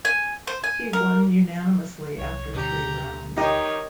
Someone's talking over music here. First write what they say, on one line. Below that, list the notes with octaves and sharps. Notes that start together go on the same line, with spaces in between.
He won unanimously after three rounds.
G#5
C5
G#5
A#4
C2 C#5
D2 B2 D3 G4 A#5
D#3 D#4 G4 C#5 D#5